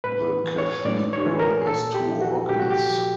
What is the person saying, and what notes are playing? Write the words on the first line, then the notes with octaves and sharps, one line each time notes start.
The cathedral has two organs.
A2 B4
E3
C#5
A2 D5
C#5
E3
A#4
G#4
A#2 A4
G4
F3
F#4
A#2 G4
F#4
G4
F3